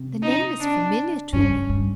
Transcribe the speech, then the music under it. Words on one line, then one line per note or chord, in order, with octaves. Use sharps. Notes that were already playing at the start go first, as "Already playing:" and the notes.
The name is familiar to me.
Already playing: C3
D#4
D4
G2 C#4
G2
G2